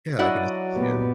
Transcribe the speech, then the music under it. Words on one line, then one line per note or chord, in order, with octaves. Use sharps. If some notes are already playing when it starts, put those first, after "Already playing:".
Yeah. Like an associate.
F#3 D4 E4 F#4 D5 D#5 F#5
A#2 A#3 B3 G4